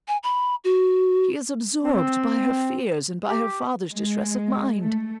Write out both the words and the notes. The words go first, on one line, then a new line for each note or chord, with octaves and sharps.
She is absorbed by her fears and by her father's distress of mind.
G#5
B5
F#4
C4
G4
G#3
A3